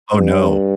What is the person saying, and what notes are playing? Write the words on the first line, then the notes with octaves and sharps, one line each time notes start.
Oh, no.
G2